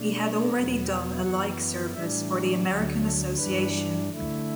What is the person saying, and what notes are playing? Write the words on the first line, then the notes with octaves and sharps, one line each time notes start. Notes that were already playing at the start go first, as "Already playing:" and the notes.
He had already done a like service for the American Association.
Already playing: B2 A3 D4
E2 B2 F#3 B3
G5
F#2 E3 B3 F#5
A2 E3 G3 D4 E5
D2 D3 F#3 C#5
A4
G2 E3 G3 D4 B4
D3 A3 E4